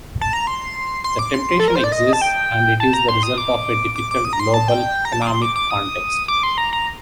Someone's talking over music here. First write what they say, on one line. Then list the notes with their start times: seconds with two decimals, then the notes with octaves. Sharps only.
The temptation exists, and it is the result of a difficult global economic context.
0.21 A5
0.33 A#5
0.47 C6
1.04 C6
1.19 D6
1.34 C6
1.59 A4
1.68 A#4
1.76 C5
1.84 D5
1.92 D#5
2.13 A5
2.21 G5
2.80 A5
2.93 A#5
3.08 C6
3.23 D#6
3.38 D6
3.96 D6
4.11 D6
4.25 D#6
4.33 A#5
4.40 C6
4.54 A5
4.68 G5
5.05 A#5
5.12 A5
5.22 D6
5.27 C6
5.42 D6
5.56 D6
5.70 D#6
6.28 D6
6.43 C6
6.58 A#5
6.73 A#5